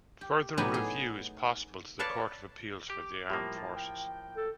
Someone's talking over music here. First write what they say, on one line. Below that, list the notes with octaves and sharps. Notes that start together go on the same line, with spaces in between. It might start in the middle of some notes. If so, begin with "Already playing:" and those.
Further review is possible to the Court of Appeals for the Armed Forces.
G4
A2 F#3 B3 D#4 G4 G#5
G#4
B4 C#5 D5 F5 A5
G4 D6
A2 F3 G3 A#3
A5
G5
A4